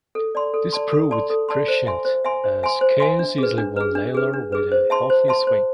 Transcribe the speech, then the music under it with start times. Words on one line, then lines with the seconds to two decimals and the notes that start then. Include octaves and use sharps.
This proved prescient, as Cairns easily won Lalor with a healthy swing.
0.15 A4
0.35 D5 A5 C6
0.54 A4
0.72 D5 A5 C6
0.91 A4
1.11 D5 A5 C6
1.30 A4
1.49 D5 A5 C6
1.68 C5
1.87 E5 G#5 C6
2.05 C5
2.25 E5 G#5 C6
2.44 C5
2.63 E5 G#5 C6
2.81 C5
3.00 E5 G#5 C6
3.19 D4
3.38 G#4 B4
3.58 D4
3.76 G#4 B4
3.95 D4
4.15 G#4 B4
4.33 D4
4.52 G#4 B4
4.72 C5
4.90 E5 A5 C6
5.10 C5
5.28 E5 A5 C6
5.47 C5